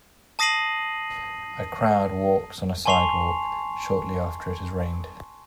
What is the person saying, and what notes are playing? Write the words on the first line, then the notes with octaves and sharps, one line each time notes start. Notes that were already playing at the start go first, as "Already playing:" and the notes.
A crowd walks on a sidewalk shortly after it has rained.
A5 D#6 A#6 C7 D#7 F#7
G#5 A5 C6 C#6 C7 F7